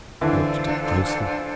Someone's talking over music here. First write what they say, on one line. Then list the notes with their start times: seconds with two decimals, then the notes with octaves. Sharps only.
I looked at it closely.
0.21 D3 E3 D4 F4 A4 C5